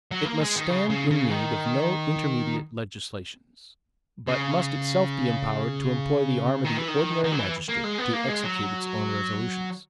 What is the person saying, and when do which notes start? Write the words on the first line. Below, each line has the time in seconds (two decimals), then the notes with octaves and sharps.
It must stand in need of no intermediate legislations; but must itself be empowered to employ the arm of the ordinary magistrate to execute its own resolutions.
0.11 F#3
0.25 A#3
0.41 G#3
0.56 D#3
0.70 C#3
0.89 C#3
1.10 C#3
1.30 D#3
4.27 C#3
6.65 D#3
6.77 E3
6.88 D#3
7.24 D#3
7.32 F#3
7.39 E3
7.68 A#3
7.84 G#3
7.98 B3
8.13 A#3
8.28 G#3
8.44 F#3